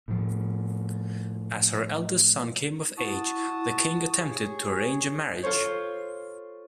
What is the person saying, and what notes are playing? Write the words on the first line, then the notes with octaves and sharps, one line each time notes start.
As her eldest son came of age, the king attempted to arrange a marriage.
A2 F3
E4 F#4 A5 D#6
G4 G#4 C#5
F4 A4 C5 C#5